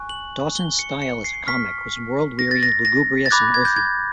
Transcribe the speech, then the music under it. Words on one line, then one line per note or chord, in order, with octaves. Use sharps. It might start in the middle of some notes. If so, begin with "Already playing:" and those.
Dawson's style as a comic was world-weary, lugubrious and earthy.
Already playing: G#5 C#6 F#6
F#7
G7
C#7
C#7
C7
C#6 F6 B6
A#6
A6
A#6
A#6
A6
B5 D6 F#6 G#6
G#6
G6
G#6